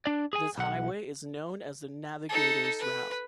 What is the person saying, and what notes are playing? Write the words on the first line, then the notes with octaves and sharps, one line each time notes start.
This highway is known as the Navigator's Route.
D4 D5
G#4 G#5
B1 F#5
D#4 A4
B4